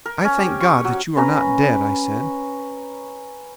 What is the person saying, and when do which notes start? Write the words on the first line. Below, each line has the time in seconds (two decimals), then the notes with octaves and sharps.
"I thank God that you are not dead," I said.
0.06 A#4
0.25 C#4
0.38 G4
0.61 C#6
0.85 F#3
1.17 C#4 B4 A#5